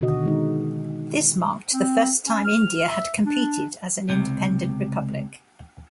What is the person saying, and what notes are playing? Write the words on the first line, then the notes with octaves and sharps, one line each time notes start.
This marked the first time India had competed as an independent republic.
B2 D3 D#3 F#4 D#5
D#3 G#3 D#4
C4
C#4
F6
E5
D4
C#2 C3